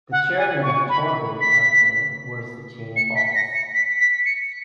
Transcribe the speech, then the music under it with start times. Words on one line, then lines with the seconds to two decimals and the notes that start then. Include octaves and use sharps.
The Chairman of Torbay Council wears the chain of office.
0.12 F#5
0.38 G#5
0.63 C#6
0.89 B5
1.41 B6
2.96 C#7
3.16 B6
3.35 A#6
3.55 C#7
3.74 B6
3.99 B6
4.26 C#7